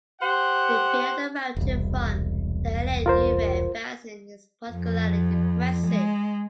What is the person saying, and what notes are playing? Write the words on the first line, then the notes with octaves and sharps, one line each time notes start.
The view of the mountain from the L'A-Neuve basin is particularly impressive.
G4 C5 F#5
E1 C2
F4 A#4 C5
F2
G#3